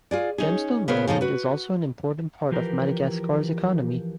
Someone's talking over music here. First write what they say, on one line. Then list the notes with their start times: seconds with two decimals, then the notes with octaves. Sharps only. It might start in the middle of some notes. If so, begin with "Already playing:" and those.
Gemstone mining is also an important part of Madagascar's economy.
0.11 F4 G#4 D5
0.38 C#4 D#4 G#4
0.88 C#3 B3 G#4 A#4 C5
1.07 C#3 F3 D#4 A4
1.21 F#4 B4
2.52 E3 F3 G4 A#4 B4